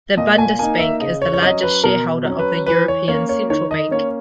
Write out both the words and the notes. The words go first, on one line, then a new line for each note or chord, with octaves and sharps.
The Bundesbank is the largest shareholder of the European Central Bank.
A#2 D#5
G#5
A#3 D#4 G#5
E5
C#3 D#5
C#5
C#5
F#3 C#4 D#5
B4
B2 A#4
F#3 C#4
B4
E3 B4
C#5
A#3 C#4 C#5
C#5
D#3 C#5
D#5
A#3 C#4 C#5